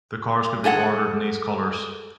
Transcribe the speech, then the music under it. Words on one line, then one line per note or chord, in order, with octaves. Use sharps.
The cars could be ordered in these colors.
G#4 A4 E5 F#5